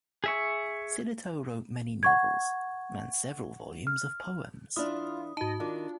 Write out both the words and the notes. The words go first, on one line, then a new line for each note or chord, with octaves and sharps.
Sillitoe wrote many novels and several volumes of poems.
G#4 E5 C#6
F#5 C#6 G#6
F6
E3 D4 E4 F4 D#6
G#2 D#4 F#4 D#5 A5
D#3 D4 F4